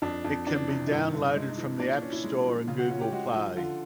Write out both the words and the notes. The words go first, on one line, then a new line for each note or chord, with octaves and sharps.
It can be downloaded from the App Store and Google Play.
F2 D4
F2
E3 D4
C3
D#4
G2 E4
G2
G#3
D#4
E3
A#2 D4
C#4
E4
G#3 D#4
F3
C#3 F4
F#4
C#4 F4
G4
G#3 F#4
F3
D3 F4